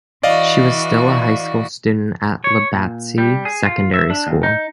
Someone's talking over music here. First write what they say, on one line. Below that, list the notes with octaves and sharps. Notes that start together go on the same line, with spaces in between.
She was still a high school student at Lobatse Secondary School.
E3 F#4 D5 D#5 F5
C#5
A#2
G3
G#4
F4
E5
D4
D#2
D#4